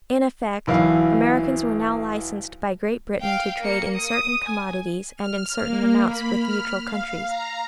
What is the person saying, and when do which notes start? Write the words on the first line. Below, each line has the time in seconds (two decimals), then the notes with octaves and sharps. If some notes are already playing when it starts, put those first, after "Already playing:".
In effect, Americans were now licensed by Great Britain to trade in certain commodities and in certain amounts with neutral countries.
0.67 B1 E3 F5
3.21 F5 G5
3.61 A#3 C#7
3.95 D#6
4.46 G#5
5.16 F6
5.60 A#3
6.07 B5
6.37 F6
6.85 F5
7.27 A#5